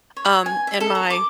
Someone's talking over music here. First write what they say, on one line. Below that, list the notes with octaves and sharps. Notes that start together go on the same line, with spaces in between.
um, and my
C#5
G#5
E5
A4
A#5
D6